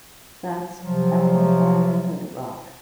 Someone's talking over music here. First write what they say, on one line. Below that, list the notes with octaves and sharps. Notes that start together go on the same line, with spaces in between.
That's Album-Oriented Rock.
C3 F3 F#3